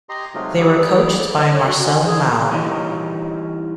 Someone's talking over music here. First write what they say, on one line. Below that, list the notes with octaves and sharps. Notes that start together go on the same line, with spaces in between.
They were coached by Marcel Mao.
G4 D#5 A#5 C6
C3 F#3 G#3 A3 D#4 F4
D#3 G3 G4 G#4 D5 D6
D#5
C#5
F#4
G#5
G#4
E3 G3 C#4 D#4